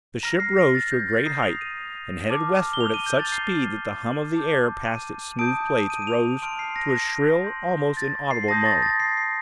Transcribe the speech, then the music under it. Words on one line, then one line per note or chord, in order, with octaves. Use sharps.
The ship rose to a great height, and headed westward at such speed that the hum of the air past its smooth plates rose to a shrill, almost inaudible moan.
A#5 F6 A#6
C7
A#6
A6
G6
A6
A#5 D#6 G6 C7
F7
D#7
A5 D6 F6
G7
F7
D#7
G6
A6
A#5 F6 C7
A5 D6 G6
D#7
A5 D#6 G6 D7
D#7
D#7
F7
A5 C6 F6 D7
C7
A#6
C6 G6
A6
C7
A5 C6 D#6 G6 A#6
A6
A6
C7
C7